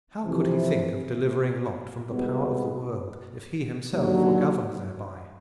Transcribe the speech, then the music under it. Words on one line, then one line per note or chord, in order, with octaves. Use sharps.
How could he think of delivering Lot from the power of the world, if he himself were governed thereby?
F2 C3 E3
C2 B2 G#3 B3
D#2 D3 F#3